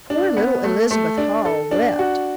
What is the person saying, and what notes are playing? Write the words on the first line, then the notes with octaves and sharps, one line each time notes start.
Poor little Elizabeth Hull wept.
D4
B3
A3
A3
D4
A4
D4
F#4